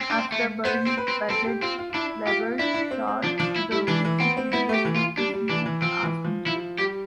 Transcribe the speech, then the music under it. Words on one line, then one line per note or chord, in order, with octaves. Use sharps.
After burying Padgett, LaBelle shot the music video to "If You Asked Me To".
C4
D4
C4
A3
B3 C5
C4
B4
C4
C4 A4
G4
C4 F4
F4
F4
D4 E4
F4 G4
D4 E4
D4
C4
C4
F3 D4
F3 D4
E4
G3 E4
E3 D4
E3
B3 C4
C4
B3 E4
A3 G4
E3
F4
G3 D4
G3
E3 D4
E3
F3 C4
E3
F3
F3 E4
G3 G4